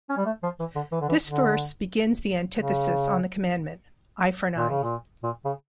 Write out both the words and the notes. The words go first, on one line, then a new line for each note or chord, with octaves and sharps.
This verse begins the antithesis on the commandment: "Eye for an eye".
C#4
G3
A3
F3
E3
D3
E3
D3
E3
D3
C#3
A#2
C#3
A#2
A#2
C#3